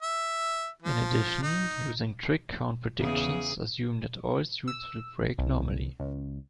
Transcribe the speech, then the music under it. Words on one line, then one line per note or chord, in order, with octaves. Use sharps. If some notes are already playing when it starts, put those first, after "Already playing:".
In addition, losing-trick count predictions assume that all suits will break normally.
E5
F3
D#4
E2 C#3 G#4
E6
C2
C#2